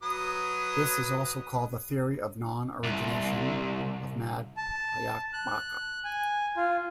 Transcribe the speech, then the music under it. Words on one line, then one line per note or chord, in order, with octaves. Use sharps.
This is also called the theory of non-origination of Madhyamaka.
F#3 B4 D#6
C2
A5
F#6
G#5
F4